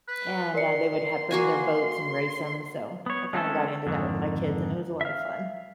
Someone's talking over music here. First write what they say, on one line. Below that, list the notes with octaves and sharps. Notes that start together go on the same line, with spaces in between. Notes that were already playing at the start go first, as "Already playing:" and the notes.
And, uh, they would have bring their boats and race 'em, so, I kinda got into that with my kids, and it was a lot of fun.
B4
A#4 D5 C6 C#7
A#3 F#4 G#5
B3 C#5
G#3 A3 C4 C#4 G#4 A4
F2 G#2 D3 D#3
E5 F5